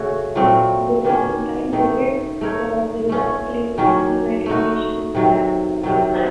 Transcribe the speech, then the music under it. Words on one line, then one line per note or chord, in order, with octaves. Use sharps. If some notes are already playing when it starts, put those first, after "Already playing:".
During this time period, the vessel flew the United Nations flag.
Already playing: C#3 A3 C#4 F#4
A#2 F#3 A3 C4
D#3 A#3 C#4
D#3 A3 D#4
A3 D#4 A#4 C#5
A3 C#4 F4
D#3 F#3 A#3 C#4
A3 D#4 F#4
C3 D#3 F#3
C3 D#3 F#3